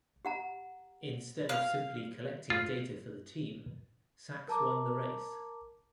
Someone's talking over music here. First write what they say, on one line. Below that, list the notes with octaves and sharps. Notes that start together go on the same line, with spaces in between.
Instead of simply collecting data for the team, Sacks won the race.
G4 F#5 A#5
F5
F4
A#4 A5 A#5 D6